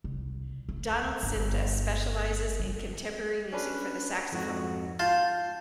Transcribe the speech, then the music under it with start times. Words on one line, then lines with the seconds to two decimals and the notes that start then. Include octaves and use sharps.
Donald Sinta specializes in contemporary music for the saxophone.
0.04 C2
0.69 D2
1.23 G1
2.60 G3
3.53 C#4 D4 B4
4.32 F2 G#2 F#4
4.99 F4 A5 G6